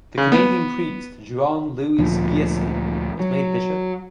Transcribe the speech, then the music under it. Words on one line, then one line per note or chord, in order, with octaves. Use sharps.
The Canadian priest Juan Luis Giasson, was made Bishop.
C#3
B3
D2 A#2 F3
F#3